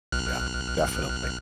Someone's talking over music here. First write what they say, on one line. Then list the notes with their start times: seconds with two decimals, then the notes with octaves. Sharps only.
Yeah, definitely.
0.12 B1 F6 F#6